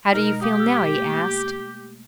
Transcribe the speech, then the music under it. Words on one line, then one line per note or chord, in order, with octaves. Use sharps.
"How do you feel now?" he asked.
B2 G#3 D#4 A#4
G4 F5 D#6
E6 F6
A3 A#3